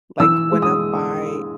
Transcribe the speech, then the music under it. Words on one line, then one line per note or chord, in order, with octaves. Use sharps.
like, when I'm by
E3 E6
G#3
D#6